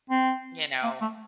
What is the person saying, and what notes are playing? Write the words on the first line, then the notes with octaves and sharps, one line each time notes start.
you know,
C4
A#3
A3